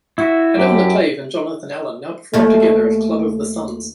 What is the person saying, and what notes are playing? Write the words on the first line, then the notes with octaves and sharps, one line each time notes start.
Adam LaClave and Jonathan Allen now perform together as Club of the Sons.
E4 F#4 E5
F#2 G4
D#2 A3